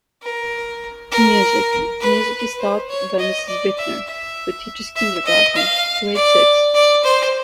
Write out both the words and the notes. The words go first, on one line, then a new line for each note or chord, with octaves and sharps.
Music: Music is taught by Mrs. Bittner, who teaches Kindergarten - Grade Six.
A#4
A#4
B4
C5
C#5
D#5
D5
E5
E5
E5
D#5
F5
D5
D5
C5